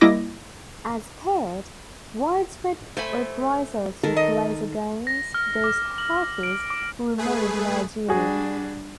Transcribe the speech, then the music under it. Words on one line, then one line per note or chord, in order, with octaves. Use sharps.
As feared, widespread reprisals took place against those Harkis who remained in Algeria.
G3 A#3 E4 D#5 D6 A#6
A3 C5 G#5 B5
D#3 A4 A#4
D#5
A#6
F6
D6
F#7
D7
D6
A3 G#4 B4
G3 D4 F#4 G#4